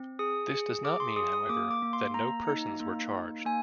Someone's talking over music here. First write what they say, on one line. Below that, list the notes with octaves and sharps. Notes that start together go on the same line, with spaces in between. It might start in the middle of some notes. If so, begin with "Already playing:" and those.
This does not mean, however that no persons were charged.
Already playing: C4
G#4 D#6
G#4
G#4 D6
C6
G#4 D#6
D#6
A#3 D6
D6
A#3
C6
A#3 A#5
D#4
A#3
D#4
A#3 G#5